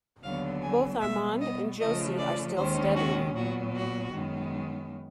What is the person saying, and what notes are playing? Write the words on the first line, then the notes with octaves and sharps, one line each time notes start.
Both Armand and Josie are still studying.
D#2 D3 F#3 B3 F5
G#5
B2 G3 B3 E5
D#5
C#3 F3 A3 D#5
D5
D#2 D#3 G#3 C#4 C5
F#4
A#2 F#3 B3 F#4
F#4
F#2 D#3 G#3 B3